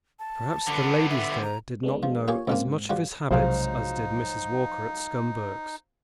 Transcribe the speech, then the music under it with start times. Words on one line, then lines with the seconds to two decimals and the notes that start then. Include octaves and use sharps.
Perhaps the ladies there did not know as much of his habits as did Mrs. Walker at Scumberg's.
0.19 A5
0.68 D3 B3
1.10 E5
1.43 A#5
1.83 G#3 B3 D4
2.03 F3
2.28 A#3 F4 G4 G#4 C#5
2.48 C#2 C#3 A#3 C4
2.68 G#2
2.90 F3 G3 F#4
3.31 B1 C3 F3 F#3 G#3 D#4 C5 F5